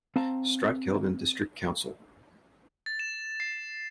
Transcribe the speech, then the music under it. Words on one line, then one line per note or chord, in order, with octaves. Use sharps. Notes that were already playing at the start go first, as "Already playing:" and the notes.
Stratkelvin district council.
C4 F5 A5 A#5
A6
E7
C7